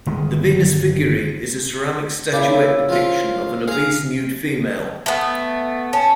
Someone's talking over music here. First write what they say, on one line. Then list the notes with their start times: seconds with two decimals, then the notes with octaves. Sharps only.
The Venus figurine is a ceramic statuette depiction of an obese, nude female.
0.06 G1 D#3 G#3
2.33 C#3 A#3 E4 D5
2.89 F3 F4
3.68 G#4 F5 A#5
5.06 A3 B3
5.93 C#4 A5